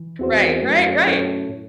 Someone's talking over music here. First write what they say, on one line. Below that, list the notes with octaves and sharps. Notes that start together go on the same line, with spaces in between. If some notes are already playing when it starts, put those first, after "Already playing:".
Right, right, right,
Already playing: E3
E2 C4 F#4 C5
F#2 A3
F#2 C#4 E4 A4 C#5
A2